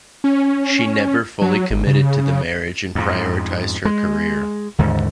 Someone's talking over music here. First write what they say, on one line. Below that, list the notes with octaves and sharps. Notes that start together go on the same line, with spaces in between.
She never fully committed to the marriage and prioritized her career.
C#4
F#3
G1
C#3
F2 G#2
G#3
D#2 G#2 D3